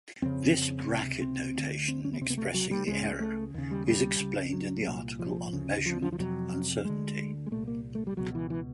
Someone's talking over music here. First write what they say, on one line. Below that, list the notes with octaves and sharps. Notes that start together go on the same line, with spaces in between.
This bracket notation expressing the error is explained in the article on measurement uncertainty.
F2 C#3 C4
C#2 C3
C4
D2 D3
C4
C#4
B3
C#2 C3 C4
B3
A3
F#3
G3
C#2 C#3 G#3
A3
D#2 C#3
G3
G3
C#2 C#3
F#3
C2 A#2
F3
D2 C#3
F3
F3
F3
F2 C3 F#3
D2 D3 G#3
G#3
C2 A#2 A3
A#3
A3
G3
C#2 B2 F#3
E3
E3